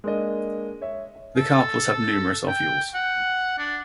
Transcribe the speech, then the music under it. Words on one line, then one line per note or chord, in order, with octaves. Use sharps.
The carpels have numerous ovules.
G#3 A#3 D4 D#5
C#5 E5
A4
G5
F#5
D4